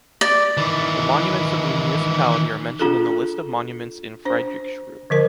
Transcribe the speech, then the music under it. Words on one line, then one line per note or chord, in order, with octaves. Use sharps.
The monuments of the municipality are mentioned in the list of monuments in Friedrichsruhe.
D5
D#3 E3
D4 F4 G#4 A4
D4 C5
D3 F3 A#4